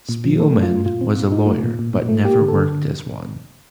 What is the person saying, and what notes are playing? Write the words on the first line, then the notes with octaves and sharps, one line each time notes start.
Spielmann was a lawyer but never worked as one.
A#2
F3
A3 A4
A3
F4
A3
A#2 F4
C4
A#2
D#4
A3
A#2
A#2
A#2
A3
A#3 G4
D3
A4
D3